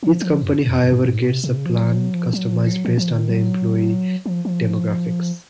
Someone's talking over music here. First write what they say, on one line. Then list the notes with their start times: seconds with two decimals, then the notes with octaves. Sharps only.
Each company however gets the plan customized based on the employee demographics.
0.03 F3
0.21 F3
0.41 F#2
0.67 F2
0.84 F#2
0.92 G#2
1.05 G#2
1.18 A#2
1.31 C3
1.44 C3
1.57 C#3
1.66 F3
1.76 F#3
1.85 F3
1.95 F#3
2.14 F3
2.33 F#3
2.52 F3
2.72 F#3
2.85 F3
2.97 F3
3.10 D#3
3.30 F#3
4.26 F3
4.45 F3